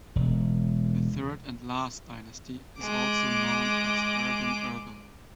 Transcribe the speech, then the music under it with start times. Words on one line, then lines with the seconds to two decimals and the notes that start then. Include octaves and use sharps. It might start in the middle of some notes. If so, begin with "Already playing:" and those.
The third and last dynasty is also known as Aragon-Urgell.
0.16 E1
2.81 G#3 D6